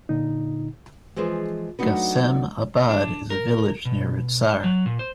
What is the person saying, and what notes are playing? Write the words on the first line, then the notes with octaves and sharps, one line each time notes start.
Ghassem Abad is a village near Rudsar.
A#2 D3 D#4
E3 F3 G#3 G#4 C5
F#3 A3 D4 D#4 F#4 B4
D4
A#4
B2
F#3
A#2
C5